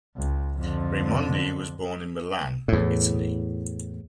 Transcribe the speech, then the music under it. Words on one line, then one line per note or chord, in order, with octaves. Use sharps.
Raimondi was born in Milan, Italy.
C#2
F2 D3
E2 A2